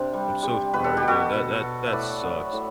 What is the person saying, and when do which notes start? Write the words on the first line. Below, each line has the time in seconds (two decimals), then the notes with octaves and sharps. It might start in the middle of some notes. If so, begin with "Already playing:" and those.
I'm so sorry, dude, that that that sucks.
Already playing: C3 C4 D4
0.13 G3
0.43 G3
0.74 B2 B4
0.84 A4
0.97 G4
1.02 B2
1.08 F#4 A4
1.33 B2
1.62 B2
1.86 E5
1.92 A2 B4 D5
2.24 F#3
2.53 A2